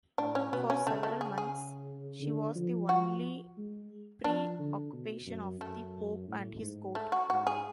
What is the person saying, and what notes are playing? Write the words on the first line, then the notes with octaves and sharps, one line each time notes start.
For several months, she was the only preoccupation of the Pope and his court.
A2 D4
C#4
B2 B3
C#4
C#3 A3
A3
G#4
G#4
D3
F3
F3 F#4
G#3
F3 D4
D3
B2
F#2
F#2 A3
A2
G#2
A3
F#4
G#2 F#4
G#4